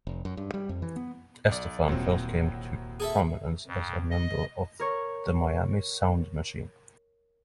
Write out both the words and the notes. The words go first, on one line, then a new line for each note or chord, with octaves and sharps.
Estefan first came to prominence as a member of the Miami Sound Machine.
F1
F#2
G2
G3
F2
E3
B3
B1 D5
D#1 C2 F#3 C4 F4
G#4 A4 E5
F2
D#5
A#4 C#5 C#6